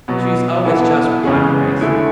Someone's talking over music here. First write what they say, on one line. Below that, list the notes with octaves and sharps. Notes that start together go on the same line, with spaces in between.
"She is always just," replied Grace.
B2 F#3 B3
E3 B3 E4 A4
E2 C#3 G#3 C#4 G#4
D3 A3 E4